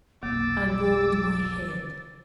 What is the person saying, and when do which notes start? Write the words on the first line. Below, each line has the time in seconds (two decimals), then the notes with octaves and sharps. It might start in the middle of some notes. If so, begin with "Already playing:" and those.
I bowed my head.
0.23 F1 B1 A#3 D6 E6 A6